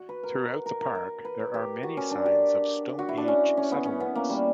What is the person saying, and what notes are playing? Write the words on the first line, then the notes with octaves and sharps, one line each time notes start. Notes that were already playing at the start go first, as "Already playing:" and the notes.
Throughout the park there are many signs of Stone Age settlements.
Already playing: F#4
B4
A#4
A#4
A#4
A#4
B4
A#4
G4
F#4
C#4
D4
G4
F#4
E4
D4
C#4
C#4
B3
C#4
B3
A#3
G3